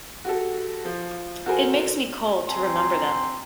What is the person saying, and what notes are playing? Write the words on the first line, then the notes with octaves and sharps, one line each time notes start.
It makes me cold to remember them.
F#4 G4 A4
F3
F#4 A4 A#4 C5 G#5
C4 G5 G#5 A#5 C6